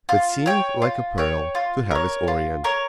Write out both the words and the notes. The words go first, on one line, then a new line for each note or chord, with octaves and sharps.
It seemed, like a pearl, to have its orient.
F4
C#5 G5
F4
C#5 G5
F4
A#4 C#5
F4
A#4 C#5